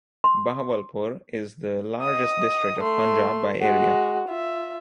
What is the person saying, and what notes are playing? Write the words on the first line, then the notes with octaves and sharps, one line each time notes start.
Bahawalpur is the largest district of Punjab by area.
C6
D#5 D#6
A3 C6
G#3 F#4
F4 E5